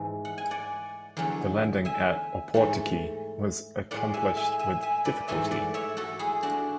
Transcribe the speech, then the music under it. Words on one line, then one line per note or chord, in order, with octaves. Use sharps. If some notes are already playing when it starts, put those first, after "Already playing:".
The landing at Opotiki was accomplished with difficulty.
Already playing: G#2 E3 G#3
F#5
G#5
D5 F#5
E2 D3 F#3 A3
E5 G#5
G#2 E3 A3
A2 G#3 D5 F#5
E5 G#5
E5 G#5
E5 G#5
E5 G#5
B4 D5
G#2 E3 A3 E5 G#5
D5 F#5
C#5 E5
F#4 A4
E4 G#4
D4 F#4